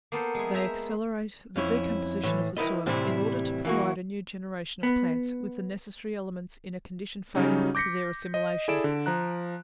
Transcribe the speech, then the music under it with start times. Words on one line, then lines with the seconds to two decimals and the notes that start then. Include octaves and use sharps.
They accelerate the decomposition of the soil, in order to provide a new generation of plants with the necessary elements in a condition favourable to their assimilation.
0.12 A#3 B3 A4 C5
0.34 G#3 E4
0.54 C5 E5 A#5
1.56 F2 C#4 E4
2.23 A2 E3
2.57 E4 A#4 B4 D#5
2.86 A2 C3 E3 G3 C4 E4
3.65 E3 A#3 F#4
4.83 B3
7.35 C#3 F#3 G3 C#4 D#4
7.75 D6 G6 A#6 B6 C#7
8.34 D#5
8.68 E4 G#4 A4 D5 D7 E7
8.84 D3
9.06 F3 A#5 F#6